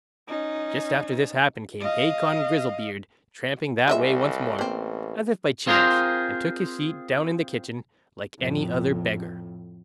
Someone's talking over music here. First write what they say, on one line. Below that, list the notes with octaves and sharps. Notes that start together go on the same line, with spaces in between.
Just after this happened, came Hacon Grizzlebeard tramping that way once more, as if by chance, and took his seat down in the kitchen, like any other beggar.
C#4 D#4
D#5 F5
C2 G#3 A#4 E5
A1 A#3 C4
C4 F4 G#4 A#4 C5 A#5
F2 A2